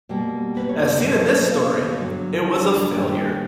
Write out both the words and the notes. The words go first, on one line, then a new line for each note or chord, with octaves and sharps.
As seen in this story, it was a failure.
B2 G3 A#3
B4
C#5
D5
D#5
B2 F#3 A#3 E5
D#5
D5
D#5
F5
F5
D#5
C#5
G2 D3 F#3
A#4
A4
G#4
A#4
G2 D#3 G3 A#3 G#4
G4
G#4